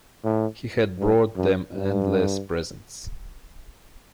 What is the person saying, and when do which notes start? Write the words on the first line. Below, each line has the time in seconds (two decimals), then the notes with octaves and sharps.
He had brought them endless presents.
0.24 A2
0.98 G2
1.37 F#2
1.74 G2